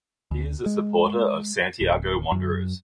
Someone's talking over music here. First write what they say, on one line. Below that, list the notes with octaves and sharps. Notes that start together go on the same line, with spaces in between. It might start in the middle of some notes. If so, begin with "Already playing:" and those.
He is supporter of Santiago Wanderers.
D2
G#3
D1
F#2